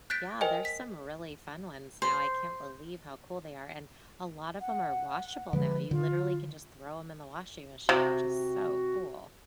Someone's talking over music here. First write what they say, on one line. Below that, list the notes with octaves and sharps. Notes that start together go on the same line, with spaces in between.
Yeah, there's some really fun ones now, I can't believe how cool they are, and a lot of 'em are washable now; you literally can just throw 'em in the washing machine, which is so cool.
F#6 G6 A6 B6 D7
A#4 C5 D#5 G5 G#5
B6
C5
F#5
D3 F3 G#3 B4
D3 F4
C3 F#4